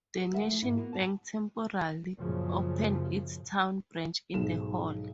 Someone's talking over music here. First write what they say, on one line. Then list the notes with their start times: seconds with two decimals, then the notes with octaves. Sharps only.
The National Bank temporarily opened its town branch in the hall.
0.18 G4
0.32 D2 D#3 G3 F#4 E5 F#5
0.46 F3 A3 E4
0.62 G#2 E4
0.76 A#3 B3 F#4 A#4
0.93 G2 G3 F#5 A5
2.19 F#2 A#2 C#3 F3
4.34 B1 G#2 E7